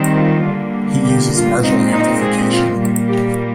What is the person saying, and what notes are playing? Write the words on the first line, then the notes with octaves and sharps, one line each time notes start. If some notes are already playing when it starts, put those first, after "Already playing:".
He uses Marshall Amplification.
Already playing: D#3 G3 C4
F4
D3 G3 A#3
G4
F4
A#2 G#3 C4 D#4
D#4
G#4
F4
A#2 G3 A#3
G4